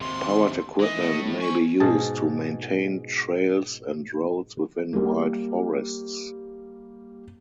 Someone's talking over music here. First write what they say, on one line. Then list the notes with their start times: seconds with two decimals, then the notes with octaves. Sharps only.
Powered equipment may be used to maintain trails and roads within Wild Forests.
0.01 D#2 C3 C6
0.80 E3 D#5
1.00 A2 A3
1.41 C4 G#5 C#6
1.80 G#2 B2 G#4 A5
4.93 G3 A#3